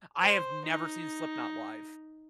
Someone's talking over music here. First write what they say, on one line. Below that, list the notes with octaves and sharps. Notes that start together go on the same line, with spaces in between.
I have never seen Slipknot live.
C5
D#4